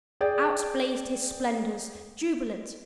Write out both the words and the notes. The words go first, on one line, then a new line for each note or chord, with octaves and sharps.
Out blazed his splendors--jubilant.
G#4 D5 G5